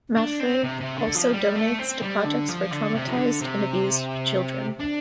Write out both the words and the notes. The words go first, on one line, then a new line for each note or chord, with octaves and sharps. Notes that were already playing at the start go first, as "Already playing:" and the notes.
Maffay also donates to projects for traumatised and abused children.
D4
C4
C3
C3
D3
F3
G3
A3
C4
G3
D3
F3
D3
C3
F3
D3
C3
D4